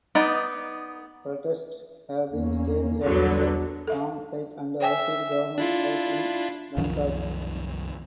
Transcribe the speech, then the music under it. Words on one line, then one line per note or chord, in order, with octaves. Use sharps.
Protests have been staged at the dam site and outside Government House in Bangkok.
B3 D#4 D5
E2 A#3 C#4
B1 E2 D3 F#3 G3 B3
A4 E5 F5
C5 E5 G5 G#5
D4 E4 F4
C2 F#2 D#3 F3